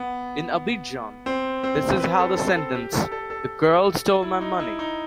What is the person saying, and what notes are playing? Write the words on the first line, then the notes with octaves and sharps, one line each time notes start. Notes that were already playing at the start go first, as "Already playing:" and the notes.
In Abidjan, this is how the sentence The girl stole my money.
Already playing: B3
C4
C4
B4
A4
A4
A4
G4
A4
A4
A4
E4
D#4
E4
D#4